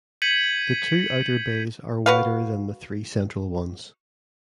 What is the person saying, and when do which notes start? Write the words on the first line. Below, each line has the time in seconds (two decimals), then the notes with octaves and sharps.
The two outer bays are wider than the three central ones.
0.22 G6 G#6 B6 C#7 D#7 F#7
2.06 F#4 B4 F5